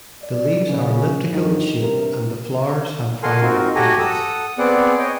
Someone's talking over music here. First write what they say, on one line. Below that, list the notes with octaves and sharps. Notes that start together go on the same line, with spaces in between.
The leaves are elliptical in shape and the flowers have five white petals.
D5
C#3
G2 D#3
G2 C3 A#4
A4 A#4 F5 F#5 G#5 C6
C4 D#4 F4 F#4 A#4
F#4 G4 A4 G#5 A#5
A4 F#5 D#6 E6
B3 C4 G#4 D5 F#5
C#5 D#5 G5